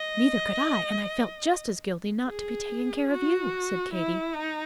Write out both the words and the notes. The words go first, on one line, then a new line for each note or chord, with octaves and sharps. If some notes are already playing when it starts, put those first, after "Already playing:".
"Neither could I, and I felt just as guilty not to be taking care of you," said Katy.
Already playing: D#5
G#4
F#4
E4
D#4